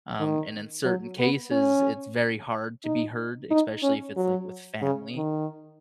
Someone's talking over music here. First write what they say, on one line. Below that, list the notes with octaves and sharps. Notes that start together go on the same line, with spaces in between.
um, and in certain cases, it's very hard to be heard, especially if it's, like, with family,
D#3
F#3
B3
C#4
D#4
D#4
C#4
F#3
C#3
D#3